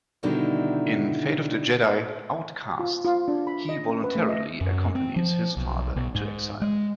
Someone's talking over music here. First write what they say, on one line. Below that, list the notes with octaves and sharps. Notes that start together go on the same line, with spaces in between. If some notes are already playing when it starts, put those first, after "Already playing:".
In "Fate of the Jedi: Outcast", he voluntarily accompanies his father into exile.
B2 D3 D#3 G3 D#4 E4
F4
F4
D4
B5
D#5
C#4
B4
A3
D#5
F#2
C4
F3
B1
B1
G#2
G#3